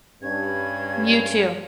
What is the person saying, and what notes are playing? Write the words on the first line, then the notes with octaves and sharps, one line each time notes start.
You too.
G2 C#4 G#6